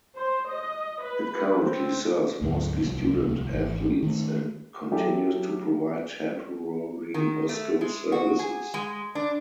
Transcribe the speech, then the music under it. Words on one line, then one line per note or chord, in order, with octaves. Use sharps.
It currently serves mostly student athletes and continues to provide temporary hostel services.
C5
D#5
B4
C4
D2 G#2 D3 F#3
D1 C2 F3
G#1 E3
D#3 A3
F#3 E4 F#4 G4 A4
D#3
A3
G#3
F#4
G#4
G#3
D4